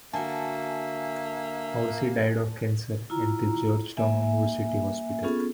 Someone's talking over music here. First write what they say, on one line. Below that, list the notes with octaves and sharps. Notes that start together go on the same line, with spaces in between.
Horsey died of cancer at the Georgetown University Hospital.
D3 A#3 F#4 E5 G#5 A5
E4 F4 A#5
A#3 E5 G#5
B3 C#4 F4 G#4 A4